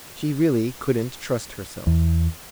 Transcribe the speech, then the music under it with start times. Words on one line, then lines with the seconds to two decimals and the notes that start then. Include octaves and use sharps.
She really couldn't trust herself.
1.87 E2